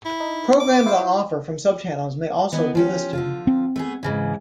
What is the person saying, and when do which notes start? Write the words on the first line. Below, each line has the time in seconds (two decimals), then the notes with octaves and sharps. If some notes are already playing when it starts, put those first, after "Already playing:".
Programs on offer from subchannels may also be listed.
0.05 E4
0.20 D#4
0.60 D6
0.86 E4 F4 C5
2.52 E3 B3 D#4
2.75 F3 C#4 G4
3.13 D3 F3 F4
3.47 C4
3.76 A3 B3 G#4
4.03 G#2 C#3 E3